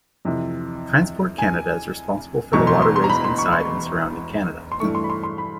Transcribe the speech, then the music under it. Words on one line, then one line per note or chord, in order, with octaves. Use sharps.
Transport Canada is responsible for the waterways inside and surrounding Canada.
F2 C3 E3
G#5
E1 E2 B2 C#6
C6
C6
C6
A#5
B5
C6
C#6
C6
C6
G2 E3 A3 C#6
C6
B5
C6
C6
B5